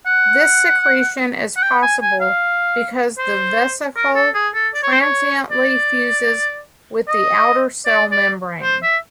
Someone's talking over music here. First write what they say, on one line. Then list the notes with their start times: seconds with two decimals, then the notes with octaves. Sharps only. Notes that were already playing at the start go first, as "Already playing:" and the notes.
This secretion is possible because the vesicle transiently fuses with the outer cell membrane.
0.06 F#5
1.56 F#5
1.62 G5
1.82 G#5
2.02 G#5
2.21 F5
3.18 C5
3.96 A#4
4.15 A4
4.34 G#4
4.54 A4
4.74 D5
4.83 C#5
4.92 C5
5.01 C#5
5.51 D5
7.08 D#5
7.86 D5
8.11 D5
8.62 C5
8.83 E5